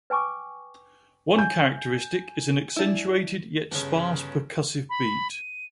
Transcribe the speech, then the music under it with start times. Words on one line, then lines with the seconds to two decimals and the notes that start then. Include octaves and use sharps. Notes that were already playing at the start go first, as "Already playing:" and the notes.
One characteristic is an accentuated, yet sparse percussive beat.
0.10 B4 G5 G#5 C#6 D6
1.35 G#5 G6
2.76 D4 E4
3.71 G1 C#3
4.90 B5
5.32 D#7